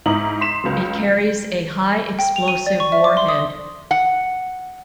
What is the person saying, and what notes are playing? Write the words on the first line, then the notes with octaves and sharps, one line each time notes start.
It carries a high explosive warhead.
G#2 D#4 E4 D#6 F#7
C6 B6 E7
C#2 C#3 F#3
G5
F7
D#7
D5
C#6
E5
D6
C6
D#6
F#5